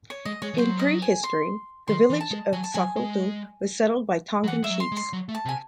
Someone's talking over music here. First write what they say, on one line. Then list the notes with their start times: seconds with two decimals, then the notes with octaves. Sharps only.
In pre-history, the village of Safotu was settled by Tongan chiefs.
0.10 C#5
0.25 G#3 D#5
0.42 G#3 C#5
0.54 E3
0.58 F#3 C5
0.79 D#5
1.02 G#5
1.24 C6
1.88 D#3 C6
2.10 E3
2.21 A5
2.31 G#3
2.53 F#3 G#5
2.64 A5
2.74 F#3 G#5
2.96 G#3
4.44 F#3
4.48 E3 F#5
4.63 G#3 E5
4.70 F#3
4.80 C6
4.92 G#3
4.97 C6
5.13 F#3
5.29 A3
5.35 A5
5.45 C3
5.49 G#5